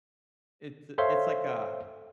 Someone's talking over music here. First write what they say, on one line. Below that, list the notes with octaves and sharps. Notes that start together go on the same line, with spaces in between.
It's it's like a
A4 C5 C#5 E5 F5 C6